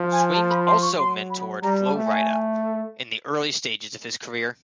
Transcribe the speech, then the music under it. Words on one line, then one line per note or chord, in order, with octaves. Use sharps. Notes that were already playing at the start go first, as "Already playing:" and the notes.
Swing also mentored Flo Rida in the early stages of his career.
Already playing: F3
G#5
A5
B5
C6
C#6
F#3 C6
B5
G3 A#5
A5
A3
G#5